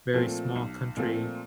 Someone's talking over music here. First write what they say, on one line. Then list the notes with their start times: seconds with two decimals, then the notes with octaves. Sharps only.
very small country
0.14 A#2 F3 A3 C4
0.56 B1
0.97 A#2 F3 A3 C4